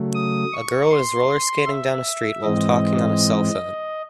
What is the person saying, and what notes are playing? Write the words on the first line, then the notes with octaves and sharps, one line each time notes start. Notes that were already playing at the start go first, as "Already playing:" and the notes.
A girl is rollerskating down a street while talking on a cellphone.
Already playing: C#3 F#3 A3
D#6
C#6
C6
E5
G#2 E3 G#3 C4 D#5